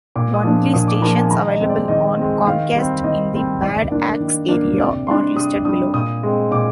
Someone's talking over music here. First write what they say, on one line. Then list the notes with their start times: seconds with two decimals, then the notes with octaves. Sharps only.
Only stations available on Comcast in the Bad Axe area are listed below.
0.16 A#2 D6
0.34 D#6
0.44 F3 A#3 D4
0.73 A#2 D#6
0.88 D6
1.02 F3 A#3 D4 A#5
1.17 G#5
1.31 D#3 A#5
1.51 D#5
1.60 G#3 C4
1.69 D5
1.88 D#3 D#5
2.18 G#3 C4
2.47 D#3 F5
2.75 G3 C4
3.04 D#3 D#5
3.34 G3 C4
3.63 D#3 D5
3.91 A#3 D4
4.20 D#3
4.49 A#3 D4
4.78 C3 D5
5.07 G3 D4 C6
5.36 C3 D#6
5.65 G3 D4 D#6
5.93 A#2 D#6
6.23 G#3 C4
6.51 A#2 D6